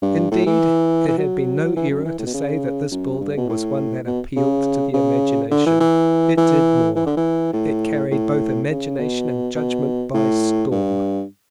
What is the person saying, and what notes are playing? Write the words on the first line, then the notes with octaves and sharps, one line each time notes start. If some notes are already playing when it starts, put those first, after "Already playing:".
Indeed it had been no error to say that this building was one that appealed to the imagination; it did more--it carried both imagination and judgement by storm.
G2
A2
E3
E3
F#3
F#3
E3
F#2
E3
A2
B2
C#3
F#2
G2
B2
A2
B2
C#3
C#3
D3
E3
E3
E3
E3
D3
E3
A2
A2
C#3
B2
B2
A2
G2